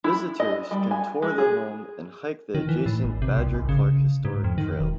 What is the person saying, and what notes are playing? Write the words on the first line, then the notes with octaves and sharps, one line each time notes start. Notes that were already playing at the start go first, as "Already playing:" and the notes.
Visitors can tour the home and hike the adjacent Badger Clark Historic Trail.
E4
D#5
G3
G#5
G#3
G#4
D#3
E3
A2
G#1
C3
C2
G#1
C#3
G#2
F2
D#3
E1